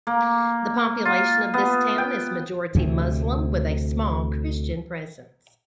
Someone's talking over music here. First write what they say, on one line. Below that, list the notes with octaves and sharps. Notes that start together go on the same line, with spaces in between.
The population of this town is majority Muslim with a small Christian presence.
A#3
F4
B3
G5
D2 C3